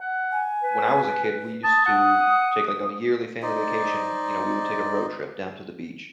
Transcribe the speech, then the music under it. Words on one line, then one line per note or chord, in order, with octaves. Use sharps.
when I was a kid, we used to take like a yearly family vacation, you know? We would take a road trip down to the beach,
F#5
G#5
B4
A5 D#6
F#5
D#4 C5 D5 D#5